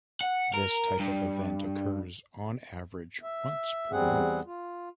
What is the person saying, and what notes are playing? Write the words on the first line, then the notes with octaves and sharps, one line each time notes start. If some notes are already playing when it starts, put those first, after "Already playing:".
This type of event occurs on average once per month.
F#5
A#4
G2
E5
E2 G3 C4 G#4 F#5
F4